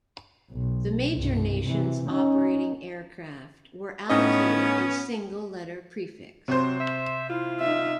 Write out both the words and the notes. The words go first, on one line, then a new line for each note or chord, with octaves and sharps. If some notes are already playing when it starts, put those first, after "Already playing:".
The major nations operating aircraft were allocated a single letter prefix.
B1
C2 G2
C3 E3
C#4 D#4
A2 B3 C#4 D#4 D#5
C3 F#3 C5
E5
E4 F4
D#4 E5